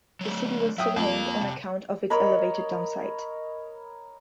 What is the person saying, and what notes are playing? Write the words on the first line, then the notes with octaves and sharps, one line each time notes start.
The city was so named on account of its elevated town site.
F#3 A3
F#3 E5 G5 D#6
F2 A#3 F5
C3
A#4 C#5 D#5 B5